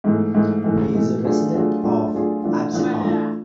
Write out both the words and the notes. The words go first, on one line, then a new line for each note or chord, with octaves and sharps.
He is a resident of Absecon.
G#2 E3 A3
G#2 E3 A3
G#2 E3 A3
G#2 E3 A3
F#3 A3 D4 F4 G#4
F#3 A3 D4 F4 G#4
F#3 A3 D4 F4 G#4
F#3 A3 D4 F4 G#4
E3 A3 D4 F4
E3 A3 D4 F4
E3 A3 D4 F4